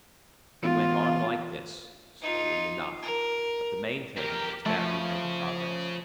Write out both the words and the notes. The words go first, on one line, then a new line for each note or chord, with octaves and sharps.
We went on like this, slowly enough, but the main thing was that we made progress.
E3 B3 F4
D#4 F4
A#4
F2 G4 A#4
C#3 F3 A3 A4